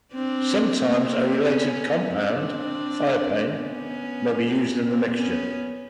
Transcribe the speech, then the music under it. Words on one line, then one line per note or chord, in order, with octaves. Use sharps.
Sometimes a related compound, thiophane, may be used in the mixture.
C4 D4
A#3 C4
B3 C#4
C4 D4
B3 C#4
A#3 C4
B3 C#4